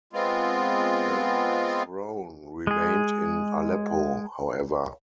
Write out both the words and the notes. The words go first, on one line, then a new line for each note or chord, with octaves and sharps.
The throne remained in Aleppo, however.
G#3 B3 C4 F4
G#3 G#4